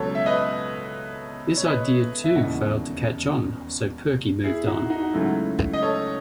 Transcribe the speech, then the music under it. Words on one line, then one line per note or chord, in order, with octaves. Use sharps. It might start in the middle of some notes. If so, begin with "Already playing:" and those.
This idea too failed to catch on, so Perky moved on.
Already playing: C#2 B2 F#3 A4 C#5
E5
B4 D#5
C#5
B4 D#5
E5
E1 D#2 C#3 E3 D#5 F#5
E4 G#4
D#4 F#4
D#4 F#4
F#4
C#2 C#3 F#3 A3 E4
D#5
A4 C#5